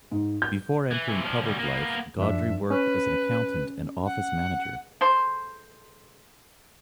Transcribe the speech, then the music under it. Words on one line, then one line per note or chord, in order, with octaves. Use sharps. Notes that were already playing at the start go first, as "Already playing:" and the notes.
Before entering public life, Gaudry worked as an accountant and office manager.
G#2
G6
E3
C3 E3
F3 D4
D2 G3
A#3 B3
F#2 F3 D4 E5
C#4 B4
F#5
A4 C5